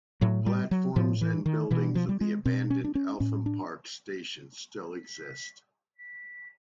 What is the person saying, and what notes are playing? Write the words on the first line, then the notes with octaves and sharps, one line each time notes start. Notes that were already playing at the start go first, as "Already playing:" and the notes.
The platforms and buildings of the abandoned Eltham Park station still exist.
A2 F#3
G3
F#3
A2 F3
E3
D#3
B2 E3
F3
G3
G#3
B2 C4
C#4
D4
C#4
A2 C#4
D4